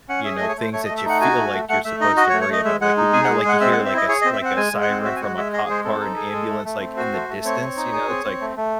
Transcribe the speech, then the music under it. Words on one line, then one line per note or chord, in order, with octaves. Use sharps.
you know, things that ya feel like you're supposed to worry about. Like, when you know, like, w you hear, like, a s like, a siren from a cop car, an ambulance, like, in the distance, you know, it's like,
C#4 F#5
G#4 E5
A3 D#5
C#5
A3 C5
A3 C#5
D#5
A3
E5
D#4 F#5
F#4 G#5
A3
A3
A3 F#5
A3 E5
D#4 D#5
F#4 D#5
C#5
A3
C#5
A3 D#5
G#3 E5
G#3 F#5
D#4
G#4 G#5
F#5
G#3
G#3 F#5
C4 E5
F#5
C4
E5
E4 D#5
G#4 C#5
C4 D#5
E5
C4 F#5
G#3 G#5
G#3
F#5
C4
F#4 E5
G#5
G#3 F#5
G#3 E5
G#4 D#5
G#3 C5
C4 A4
D#4
G#4
G#3
A3
A3
C4
F#4 C5
A3
A3
C4 C#5
C4
D#4
G#4
C4
C4
A3
A3